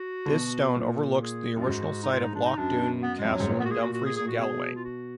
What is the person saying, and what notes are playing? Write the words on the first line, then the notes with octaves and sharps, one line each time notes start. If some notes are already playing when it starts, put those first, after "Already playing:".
This stone overlooks the original site of Loch Doon Castle in Dumfries and Galloway.
Already playing: F#4
D3
B2
A#2
G#4
F#2 F4
G#2 F#4
D#4
F4
D#4
D4
D#4
F#2 D4
B3
G#3
F2
F#2 F#3
G#2
A#2 F#3
B3
F#4
G#4
F#4
F#4
G#4
G#4
F#4
B2 G#4
F4
F#4